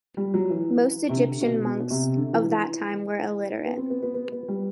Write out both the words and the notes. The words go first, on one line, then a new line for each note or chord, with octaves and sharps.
Most Egyptian monks of that time were illiterate.
G3
F#3
E3
C3
D3
B2
B2
C3
D3
E3
E3
B3
C4
B3
B3
B3
B3
G3